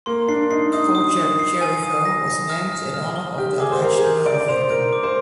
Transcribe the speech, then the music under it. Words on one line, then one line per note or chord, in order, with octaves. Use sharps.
Project Jericho was named in honour of the alleged murder victim.
A#3 C6
D4 C7
D#4 C7
D#4 D#6
D#6
D#6
C7
G#5
D#6
A#6
A#6
F6
F6
F6
G7
G4 F6
G#4 D6
C5
A#4 C7
G#4
A#4 G6
D5 D7
D5
C5 F7
A#4 D7
D6
C5